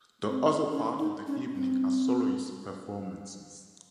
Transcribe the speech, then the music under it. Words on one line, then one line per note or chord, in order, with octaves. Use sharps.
The other part of the evening are soloist performances.
C4
C#4
D#4
C#4
C4